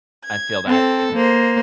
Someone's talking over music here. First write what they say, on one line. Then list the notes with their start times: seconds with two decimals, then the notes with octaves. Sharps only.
I feel that.
0.23 G#6
0.66 C4 A4
1.12 A#3 C5